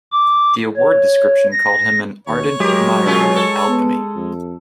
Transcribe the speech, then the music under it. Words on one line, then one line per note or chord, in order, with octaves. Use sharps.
The award description called him an ardent admirer of alchemy.
D6
C#5
A#6
D#2 C#5
F#3 G#3 G4 A#4
B2 C#4 F4
A4
B3
F2